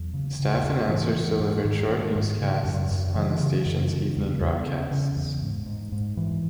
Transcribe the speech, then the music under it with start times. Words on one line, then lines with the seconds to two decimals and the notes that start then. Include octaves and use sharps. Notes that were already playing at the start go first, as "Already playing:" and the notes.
Staff announcers delivered short newscasts on the station's evening broadcasts.
Already playing: E2 F#3
0.14 C#3
0.39 C#3
0.64 E2
0.89 G#2 E3
1.15 G#2
1.40 G#2
1.65 G#2 D#3
1.90 G#2
2.16 G#2
2.40 C#3
2.65 F#2
2.91 F#2
3.15 C#3 E3
3.40 C#3
3.66 F#2
3.91 C#3
4.16 E2
4.41 E2
4.66 C#3
4.91 C#3
5.16 E2
5.42 G#2
5.66 G#2
5.92 G#2
6.17 G#2 E3